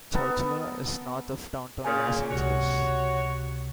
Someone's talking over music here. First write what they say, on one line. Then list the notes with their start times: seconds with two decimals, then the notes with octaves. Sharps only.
Chowchila is north of Downtown Los Angeles.
0.15 B3 D#4 A4 A#4
1.85 A#2 C#3 G#5
2.31 C#2 C3 F#4 C#5